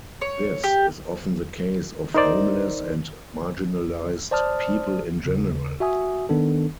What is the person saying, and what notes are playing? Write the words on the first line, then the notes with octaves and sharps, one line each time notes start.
This is often the case of homeless and marginalized people in general.
C#5
G4
D#4 A#4 C5 D5
C5 D5 A5 D#6 F6
D#2 C#3
F#4 E5 G#5 D#6
D#3 B3 D4 A4